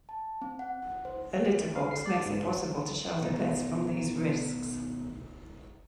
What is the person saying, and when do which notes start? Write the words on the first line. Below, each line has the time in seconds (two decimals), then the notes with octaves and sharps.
A litter box makes it possible to shelter pets from these risks.
0.09 A5
0.42 C4
0.59 F#5
1.05 C5
1.76 F5
1.91 C7
2.06 D5
2.25 G#2
3.21 B2 D#3 A3 D#4